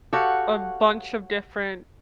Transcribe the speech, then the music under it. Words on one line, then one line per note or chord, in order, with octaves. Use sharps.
a bunch of different
F#4 G4 A4 C#5 F5 F#5